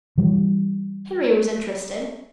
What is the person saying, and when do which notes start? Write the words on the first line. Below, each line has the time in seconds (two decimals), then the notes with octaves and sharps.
Henry was interested.
0.18 E3 G3